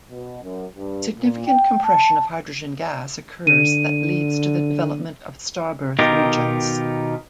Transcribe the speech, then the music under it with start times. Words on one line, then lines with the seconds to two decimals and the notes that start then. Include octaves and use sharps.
Significant compression of hydrogen gas occurs that leads to the development of starbirth regions.
0.10 B2
0.42 F#2
0.75 G2
1.17 A#2
1.47 G5
1.84 A5
3.47 D3 D#7
5.99 B2 D#3 D#4 F4 G4 A#4